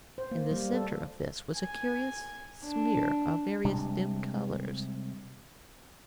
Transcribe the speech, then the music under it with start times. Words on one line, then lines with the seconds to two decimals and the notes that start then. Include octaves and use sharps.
In the center of this was a curious smear of various dim colors.
0.18 C5
0.31 A#3
0.51 G3
0.73 A4
1.58 G#5
2.65 D4
3.65 C3 G3 G#3 D4